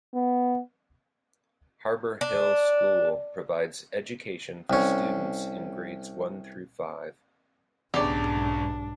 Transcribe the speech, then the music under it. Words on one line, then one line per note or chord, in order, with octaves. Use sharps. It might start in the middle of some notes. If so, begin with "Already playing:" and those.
Harbor Hill School provides education for students in grades one through five.
B3
D4
C2 C#4
B1 E2 G#2 C#3 D4 G4 D5